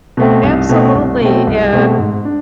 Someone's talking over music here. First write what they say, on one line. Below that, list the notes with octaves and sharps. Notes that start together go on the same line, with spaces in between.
Absolutely, and
B2 A3 C4
C2
B2 A3 C4
C2
B2 A3 C4
C2
B2 A3 C4
G#2
D4